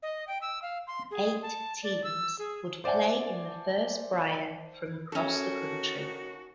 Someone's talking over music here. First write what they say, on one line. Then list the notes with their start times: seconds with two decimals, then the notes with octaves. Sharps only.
Eight teams would play in the first Brier, from across the country.
0.03 D#5
0.28 G5
0.42 E6
0.62 F5
0.87 C6
1.11 G#4
1.42 A5
1.83 D5
2.04 E6
2.39 G#4
2.84 C5 D5 E5 F#5 G#5 A5
5.12 D#3 A#3 C#4 F#4 A4